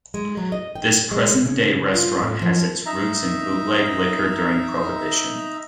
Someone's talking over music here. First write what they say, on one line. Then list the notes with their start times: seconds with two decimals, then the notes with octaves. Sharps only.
This present day restaurant has its roots in bootleg liquor during Prohibition.
0.14 G#3
0.37 F#3
0.52 D#5
0.75 G5
1.11 G#3
1.46 C#3
1.94 F4
2.22 A2
2.42 F3
2.86 D#4 E5 A#5